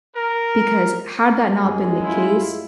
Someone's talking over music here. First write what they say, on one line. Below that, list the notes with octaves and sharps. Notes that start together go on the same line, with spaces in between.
Because had that not been the case,
A#4
F#2 G#3 G#4
E4 F4